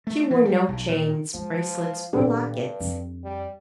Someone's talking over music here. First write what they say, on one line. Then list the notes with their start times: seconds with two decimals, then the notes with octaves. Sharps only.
She wore no chains, bracelets or lockets.
0.07 A3
0.30 E3
0.45 G3
0.68 B1
0.88 A#2
1.34 F3 G#3
2.13 A#2 D#3 D4 G4 A4
2.50 G2
2.80 F2
3.24 G3